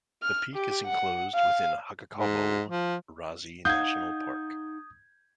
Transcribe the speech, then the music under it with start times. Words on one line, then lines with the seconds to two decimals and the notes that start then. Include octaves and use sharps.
The peak is enclosed within Hkakabo Razi National Park.
0.22 F6
0.55 G4
0.86 F#5
1.35 F5
2.14 G#2
2.69 F3
3.65 D#4 F5 F#5 D#6 G6 G#6